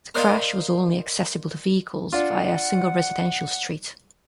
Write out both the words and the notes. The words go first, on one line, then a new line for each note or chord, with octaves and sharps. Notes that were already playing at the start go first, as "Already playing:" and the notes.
The crash was only accessible to vehicles via a single residential street.
A#4 C5 D5 D#5 F5 C6
D4 F4 F#5